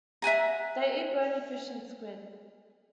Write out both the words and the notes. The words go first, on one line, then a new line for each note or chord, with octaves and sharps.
They eat bony fish and squid.
E5 F#5 G#5 A#5